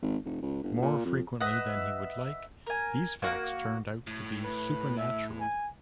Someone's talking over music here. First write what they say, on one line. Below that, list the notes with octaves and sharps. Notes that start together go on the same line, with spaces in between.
More frequently than he would like, these facts turned out to be supernatural.
G#1
F1
C#2
G1
A#2
F2
B4 D#5 E5 F#5
A#4 G#5
A#3 F#4
A2
B4
E5
G#5